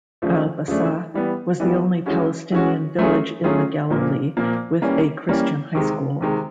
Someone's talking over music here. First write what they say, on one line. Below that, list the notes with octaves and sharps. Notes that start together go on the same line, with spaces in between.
Al-Bassa was the only Palestinian village in the Galilee with a Christian high school.
C#3 F3 A3 D4
C#3 F3 A3 D4
E3 G3 B3
E3 G3 B3
E3 G#3 C#4 F#4
E3 G#3 C#4 F#4
F#3 A3 C#4 F4 G#4
F#3 A3 C#4 F4 G#4
A#2 F3 A#3
A#2 F3 A#3
E3 G3 A#3 C#4
E3 G3 A#3 C#4
C3 D#3 G#3
C3 D#3 G#3